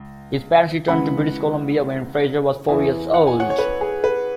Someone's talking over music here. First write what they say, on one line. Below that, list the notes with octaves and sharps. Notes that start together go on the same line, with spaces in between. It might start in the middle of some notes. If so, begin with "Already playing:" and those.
His parents returned to British Columbia when Fraser was four years old.
Already playing: C#2
C#2 C#3 E3 F#5 B5
E2 E3 E5 G#5
F#5
G#5
C#5 F#5
C#5
B4
G#4
B4